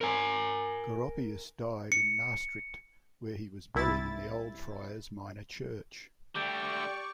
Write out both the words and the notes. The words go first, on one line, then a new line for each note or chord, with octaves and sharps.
Goropius died in Maastricht, where he was buried in the old friars minor church.
A#4 G#5
C#7
C2 E4 A6
D3 G3 A3 D5 C#6 D6 G6 D7